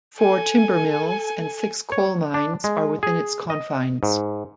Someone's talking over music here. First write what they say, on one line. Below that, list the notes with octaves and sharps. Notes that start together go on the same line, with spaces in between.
Four timber mills and six coalmines are within its confines.
A4 G#5
C#5
D4
G#3
G#4
D#5
G#2